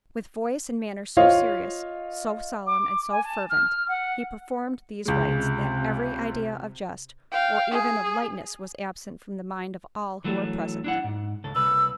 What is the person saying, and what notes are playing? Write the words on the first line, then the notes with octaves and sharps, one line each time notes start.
With voice and manners so serious, so solemn and so fervent, he performed these rites, that every idea of jest, or even of lightness, was absent from the mind of all who were present.
F4 C5 C#5 D#5 F5
D6
G#5
A5
F6
F#5
C#2 C3 G#3
F5 G5
G#4
E3 F#3 A3
D4 E4 F#5
G#2
C#2 A4
C2 B4 E6